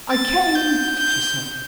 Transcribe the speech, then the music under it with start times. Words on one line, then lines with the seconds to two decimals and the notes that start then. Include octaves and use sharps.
"I came," she said.
0.11 A6
0.55 G6
0.99 G6